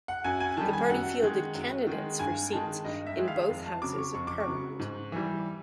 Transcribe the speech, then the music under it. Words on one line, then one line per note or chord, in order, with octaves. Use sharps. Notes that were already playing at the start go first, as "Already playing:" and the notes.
The party fielded candidates for seats in both houses of Parliament.
F#5
F#2 G#5
G#5
D#3 G3 A5
G#5
F#2 F#5
D#3 G#3
F#2
D#3 G#3
G2 G#5
D#3 G#3 A5
G2 D#5
E5
D#3 G#3
F5
F2
A5
C#3 F#3 D6
C#6
F2 C#6
D6
C#6
C#3 F#3
G#2
E3 G3